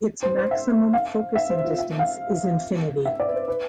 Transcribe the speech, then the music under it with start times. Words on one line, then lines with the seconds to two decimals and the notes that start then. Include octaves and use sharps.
Its maximum focusing distance is infinity.
0.23 C5
0.37 C5
0.51 E5
0.93 F5
1.35 E5
1.50 C5
1.64 F4
1.78 E5
1.99 F5
3.05 E5
3.20 D5
3.28 B4
3.34 C5
3.48 B4